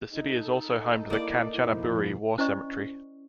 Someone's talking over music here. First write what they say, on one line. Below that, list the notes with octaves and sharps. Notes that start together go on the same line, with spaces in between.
The city is also home to the Kanchanaburi War Cemetery.
D#4 A4
A#3 E4 D5
F2 B2 F3 E4
C#4 E4 C5 D5 D#5 C#6